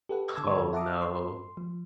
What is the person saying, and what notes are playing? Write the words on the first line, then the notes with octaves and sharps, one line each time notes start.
Oh, no.
G4 A4 B4 F#5
D3 A5 E6 G#6
E5 F#5 A5 A#5 D6 D#6
C6
F3